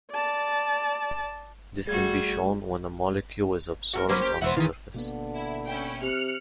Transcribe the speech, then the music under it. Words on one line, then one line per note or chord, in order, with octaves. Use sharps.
This can be shown when a molecule is adsorbed on a surface.
D5 A5
A1 G3 A3 F#4 G#4 G#6
F#4 A4 A#4
F#3 A#3 C#4 B4 C5
G4
E1 E4 C5 E5 F#5
A#2 D#3 E3 G#4 F5
B2 D3 A#3 B3
E4
C#4 E4 G5
C3 F6 F#6 C#7